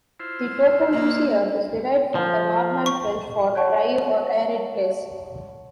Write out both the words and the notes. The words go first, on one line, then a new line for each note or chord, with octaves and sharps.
The toponym "Seer" is derived from the Norman French for "dry or arid place".
E4 F4 C5
A#3
F3
C#6
C#5 D5 F#5 A5 C#6